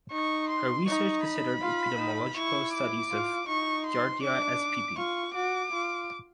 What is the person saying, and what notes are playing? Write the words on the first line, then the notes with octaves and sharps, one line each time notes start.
Her research considered epidemiological studies of "Giardia spp".
D#4 C#6
C6
D#4 C#6
B5
F4
D#4
E4 C#6
D6
F4
D#4 C#6
C6
D4 D6
F4 C#6
F#4 D6
F4